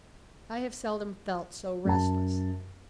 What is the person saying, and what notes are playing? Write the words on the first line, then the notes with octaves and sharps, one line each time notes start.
I have seldom felt so restless.
F#2 A5